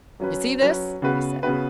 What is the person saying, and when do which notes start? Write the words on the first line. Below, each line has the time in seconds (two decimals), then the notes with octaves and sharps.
"You see this?" he said.
0.20 F#3 C#4 B4
0.61 F#3 C#4 B4
1.02 C#3 B3 F#4 B4
1.43 C#3 B3 F#4 B4